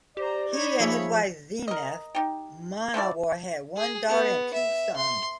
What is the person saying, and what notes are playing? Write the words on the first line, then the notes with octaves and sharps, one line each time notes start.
He and his wife Zeenath Munawar had one daughter and two sons.
G4 C5 D5 A#5
D#4 C#5 B5
F3 A#3 G#4 E5
A#4 D#5
D#4 G4
F3 A3 E4 D5
G#4
B3
E5
C6